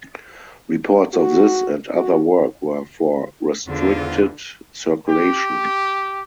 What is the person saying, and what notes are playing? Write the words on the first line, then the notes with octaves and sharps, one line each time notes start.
Reports of this and other work were for restricted circulation.
F#4
F#4
E2 G#2 D3 E3 F4
G4